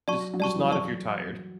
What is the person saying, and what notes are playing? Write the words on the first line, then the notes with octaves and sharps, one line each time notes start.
Just just not if you're tired,
F#3 D5 A5 C#6
F#3
G3 D5 A5 C#6
E3
F#3 D5 A5 C#6